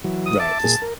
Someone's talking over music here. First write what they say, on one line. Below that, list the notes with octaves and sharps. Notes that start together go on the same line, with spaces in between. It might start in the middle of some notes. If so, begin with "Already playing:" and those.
Right, this
E3 F#3
D#6
E5 A5 D6
A#2 G#4
A#4